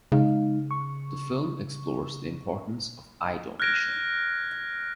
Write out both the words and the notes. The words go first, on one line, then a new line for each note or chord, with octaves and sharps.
The film explores the importance of eye donation.
C#3 G#3 D#4 F5
C#6
F6 F#6 G#6 A#6 D7